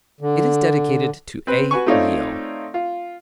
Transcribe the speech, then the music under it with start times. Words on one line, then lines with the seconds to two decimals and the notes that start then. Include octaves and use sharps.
It is dedicated to A. Leo.
0.21 D3
1.47 C4 B4
1.71 F#4 B4 G#5 C#6
1.86 A3 C4 D#4 F4 C#5 D5
2.74 F4